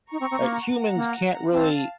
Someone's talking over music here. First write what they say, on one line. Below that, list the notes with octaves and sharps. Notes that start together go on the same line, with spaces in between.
uh, humans can't really
D#4 A#5 C#6
C4
C4
A#3
F#5 A#5
A#3
C4 F5 A5